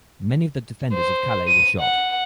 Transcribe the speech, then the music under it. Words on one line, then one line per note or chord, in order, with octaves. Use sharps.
Many of the defenders of Calais were shot.
C5
D#7
F#5